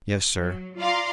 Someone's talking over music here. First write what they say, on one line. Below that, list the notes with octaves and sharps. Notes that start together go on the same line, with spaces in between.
"Yes, sir."
F#3
F4 D5 F5 A#5 C6 D6